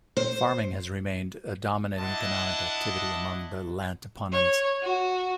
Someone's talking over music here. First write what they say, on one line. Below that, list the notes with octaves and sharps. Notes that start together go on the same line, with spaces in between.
Farming has remained a dominant economic activity among the Lantapanons.
C5
D4 E4 D#5 F#5 A5
C#5
F#4